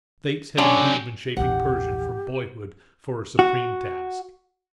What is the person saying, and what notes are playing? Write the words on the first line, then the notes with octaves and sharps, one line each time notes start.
The Fates had indeed been shaping Pershing from boyhood for a supreme task.
D3 F#3 C#4 G4
A#1 E2 G4 F#5
F#4